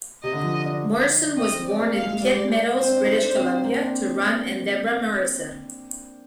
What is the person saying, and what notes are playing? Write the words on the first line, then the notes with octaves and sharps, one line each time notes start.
Morrison was born in Pitt Meadows, British Columbia, to Ron and Deborah Morrison.
C3 D#5
D3
F3
D4
D#4
D4
C4 D#5
C4
D5
A#3
A#3 F5
G#3
G#3
G3 D5
G3
C4 C5
D4
D4
D#4
D4
C4
A#3
C4
D4